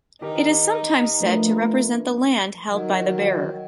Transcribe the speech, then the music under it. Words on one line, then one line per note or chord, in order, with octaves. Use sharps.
It is sometimes said to represent the land held by the bearer.
D#3 D#4 G4 A#4
F3 A3 D4 A#4 B4
D#3 F#3